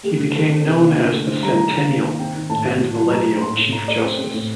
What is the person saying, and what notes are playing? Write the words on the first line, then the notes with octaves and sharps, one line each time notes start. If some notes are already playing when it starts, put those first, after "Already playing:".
He became known as the Centennial and Millennial Chief Justice.
A3 G4
D3
D#3 A4
C4
C3 A#4
A#3
D3
A3
D3 C5
G3 A#5
D#3 A#5
D#3
A#3
D#3
C4 G5
D#3
A2 A5
A2
A2
F#3
A3 A#5
A3
A2 C6
A2
A2 A#5
A3 D5
C4 C5
C4
A2